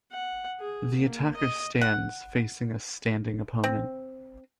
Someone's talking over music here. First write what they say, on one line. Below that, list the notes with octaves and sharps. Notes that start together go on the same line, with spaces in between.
The attacker stands facing a standing opponent.
F#5
G#4
A#3
D#5
F#5
C4